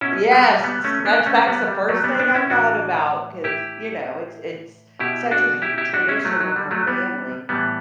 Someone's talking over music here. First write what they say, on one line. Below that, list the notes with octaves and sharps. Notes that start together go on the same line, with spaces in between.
Yes, that's that's the first thing I thought about 'cause, you know, it's it's such a tra tradition in our family,
B2 C#4 E4
G3 B3
G3
G3 B3
A3 C#4
B3 D4
A3 C#4
G3 B3
G3
F#3 A3
G3 B3
B3 D4
C#4 E4
A2 E3 D4 F#4
E4 G4
B2 E4 G4
D4 F#4
E4 G4
E4 G4
D4 F#4
C#4 E4
F#3 A3
F#3
G3
F#3 A3
G3 B3
A2 E3 G3 B3